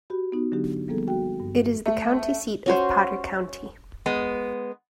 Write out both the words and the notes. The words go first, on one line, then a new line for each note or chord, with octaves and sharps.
It is the county seat of Potter County.
F#4 G4 B5
B3 D#4 F#4
D3 F#3 B3 D4 D#4 G4
F3 G3 A#3 B3 G#4 A4
F#4 G5
G2
A3
C#4 F#4 C5
G#3 B3